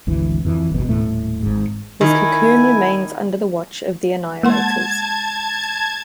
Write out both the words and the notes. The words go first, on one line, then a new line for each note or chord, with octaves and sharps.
His cocoon remains under the watch of the Annihilators.
G#1 D2 E3
F2 E3
G1 C#2 B2
D#1 D#2 A2 A3
G#1 G#2
D#3 E4 G#5
G#3 A#3 F#5 A5 C6 G#6